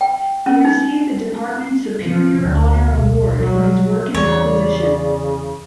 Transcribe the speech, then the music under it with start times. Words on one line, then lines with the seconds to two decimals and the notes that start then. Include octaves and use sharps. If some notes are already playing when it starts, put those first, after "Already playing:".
He received the Department's Superior Honor Award for his work in that position.
0.01 G5
0.46 C#4
0.65 D#4
2.01 F3
2.42 D2
2.89 B1
3.39 F#3
4.14 E2 C#3 C#5 D5